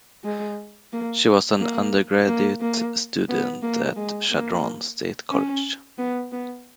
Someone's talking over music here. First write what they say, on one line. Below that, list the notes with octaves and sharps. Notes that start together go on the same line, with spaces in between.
She was an undergraduate student at Chadron State College.
G#3
A#3
A#3
A#3
A#3
B3
A#3
G#3
A#3
C#4
B3
B3